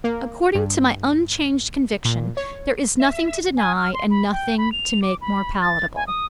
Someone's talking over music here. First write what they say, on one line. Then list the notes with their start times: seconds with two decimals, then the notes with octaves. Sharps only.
According to my unchanged conviction there is nothing to deny and nothing to make more palatable.
0.04 A#3
0.55 G2
2.05 A#2
2.37 C#5
3.00 E5
3.57 G#5
3.76 F6
3.94 C6
4.10 B5
4.32 G5
4.58 B5
4.72 F7
5.02 D6
5.21 B5
5.62 A6
5.96 G#5
6.07 D#6